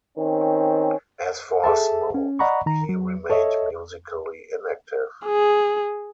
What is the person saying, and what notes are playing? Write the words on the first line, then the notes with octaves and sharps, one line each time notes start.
As for Smooth, he remained musically inactive.
D#3 C4 C#4
G#4 A4 E5 A5
C#4
D5 D#5 F#5 A#5 B5 C#6
D#3 A#5
F#3
A4 C#5 D#5 E5
G#4